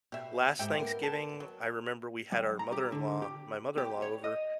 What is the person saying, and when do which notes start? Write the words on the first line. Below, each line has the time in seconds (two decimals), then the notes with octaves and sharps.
last Thanksgiving, I remember we had our mother-in-law my mother-in-law over,
0.12 B2 G4 E5
0.59 G#2 G4 E5 G5
0.79 B3 A#4
1.03 A5
1.40 F#3
2.32 G3
2.59 A#5
2.72 G4
2.92 D3
3.22 G4
3.78 G4
4.02 C#5
4.24 D#5